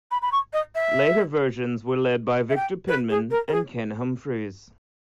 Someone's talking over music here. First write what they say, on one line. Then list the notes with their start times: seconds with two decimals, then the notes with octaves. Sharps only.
Later versions were led by Victor Penman and Ken Humphries.
0.11 B5
0.22 B5
0.31 C#6
0.53 D#5
0.75 E5
2.49 E5
2.56 G5
2.88 B4
3.09 G#4
3.30 A#4
3.48 A#4
3.52 G#4